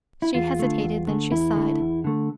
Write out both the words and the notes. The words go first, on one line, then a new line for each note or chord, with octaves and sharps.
She hesitated; then she sighed.
E4
E2 F4
D3 A3
E2
D3 A3
E2 E4
D3 A3
E2
D3 A3